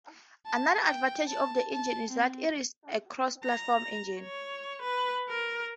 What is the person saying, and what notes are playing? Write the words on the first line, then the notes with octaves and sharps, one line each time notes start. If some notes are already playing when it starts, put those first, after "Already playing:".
Another advantage of the engine is that it is a cross-platform engine.
A5
G5
A5
A5
C4
A#5
C#5
B4
A#4